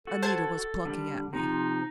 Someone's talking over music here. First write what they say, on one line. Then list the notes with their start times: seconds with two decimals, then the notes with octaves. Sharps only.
Anita was plucking at me.
0.07 F#4 A4
0.23 C5 A5 G#6
0.85 D3 G3
1.33 C3 F3 D#4